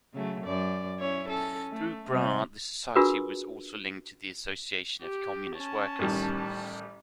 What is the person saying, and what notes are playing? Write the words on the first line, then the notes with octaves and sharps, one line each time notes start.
Through Brar, the society was also linked to the Association of Communist Workers.
C#3 F#3 A3
F#2 D5
C#4 E4 C#5
C#4 A4
A3
C3 G3
D4 F4 F#4 G#4 A#4 B4
G4
C#4 A5
A1 D#3 G3